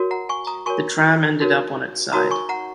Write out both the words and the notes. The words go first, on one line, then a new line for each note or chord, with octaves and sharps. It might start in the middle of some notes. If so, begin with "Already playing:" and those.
The tram ended up on its side.
Already playing: F#4 A#4 C#5
F#5 A#5
G#5 C#6
A#5 D#6
F#4 A#4 C#5 G#5 C#6
D#4 F#4 A#4 C#5
D#4 F#4 A#4 C#5 A#5 D#6
G#5 C#6
F#5 A#5